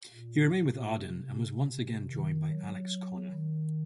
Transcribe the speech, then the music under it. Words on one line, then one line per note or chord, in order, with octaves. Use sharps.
He remained with Arden and was once again joined by Alex Connor.
A#2
A#2
C3
C3
D#3
F#3
D#3